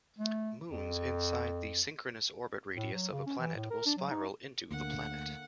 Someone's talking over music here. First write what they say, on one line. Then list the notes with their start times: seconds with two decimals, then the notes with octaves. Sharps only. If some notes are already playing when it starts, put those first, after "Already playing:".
Moons inside the synchronous orbit radius of a planet will spiral into the planet.
0.19 A3
0.71 F2
2.76 A2
2.94 F#3
3.12 C#3
3.26 C#4
3.39 E3
3.55 A2
3.70 A#4
3.86 D4
3.97 F#3
4.10 D#4
4.71 D2 D3 A#3 F#5